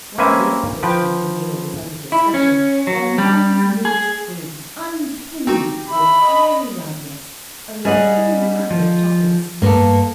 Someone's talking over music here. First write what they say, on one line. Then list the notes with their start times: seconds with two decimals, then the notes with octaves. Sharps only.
While this portion of the meal was under discussion their minds moved free, unpinioned, with airy lightness, over all manner of topics.
0.18 A#3 C4 C#4 B4 E5 G#5
0.83 F3 B4 G5
2.12 E4
2.34 C#4
2.87 F#3
3.18 G3
3.85 G#4
5.47 C4 D#4 F#4 G4
5.91 E5 B5
6.22 D#5
7.85 G3 G#4 D#5 F#5
8.71 F3
9.62 G2 A#3 B3 A4